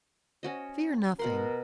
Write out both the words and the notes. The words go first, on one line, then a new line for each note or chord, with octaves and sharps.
'Fear nothing.
C#4 F#4 D#5
B2 A#4 F#5 C6